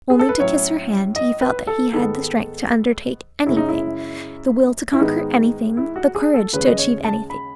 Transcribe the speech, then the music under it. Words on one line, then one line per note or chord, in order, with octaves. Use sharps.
Only to kiss her hand he felt that he had the strength to undertake anything, the will to conquer anything, the courage to achieve anything.
G#4
A4
B4
A2 F#3 C#4 C#5
D#5
B4
A4
G#2 D#3 G#3 B3 A4
F#2 C#3 G#3 E4
D#4
E4
E4
G#2 D#3 G#3 B3 D#4
E4
F#4
G#4
A4
D#2 C#3 G#3 C#4 B4
D#5
C#5
A5
B5